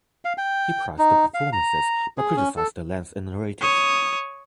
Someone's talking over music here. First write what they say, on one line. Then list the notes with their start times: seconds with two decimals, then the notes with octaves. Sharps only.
He praised the performances but criticised the length and narrative.
0.25 F5
0.38 G5
0.98 D#4
1.34 F5
1.53 A#5
2.17 G#4
2.36 C#4
2.57 A4
3.61 C#5 D#6